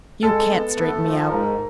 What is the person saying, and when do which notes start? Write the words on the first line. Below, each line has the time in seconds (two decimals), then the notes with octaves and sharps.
"You can't straighten me out."
0.23 G#3 A4
0.50 B3
0.77 A3
1.03 F3
1.30 G#2 A#4